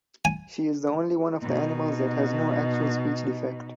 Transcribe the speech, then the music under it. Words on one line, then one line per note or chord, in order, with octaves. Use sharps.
She is the only one of the animals that has no actual speech defect.
G#5
B2 D#4